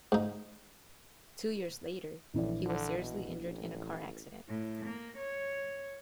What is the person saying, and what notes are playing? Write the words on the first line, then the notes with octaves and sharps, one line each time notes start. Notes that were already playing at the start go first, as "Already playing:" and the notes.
Two years later, he was seriously injured in a car accident.
G#2 D#4
A#1 A2 E3 D5
D3
B2
A1
A2
A#3
C#5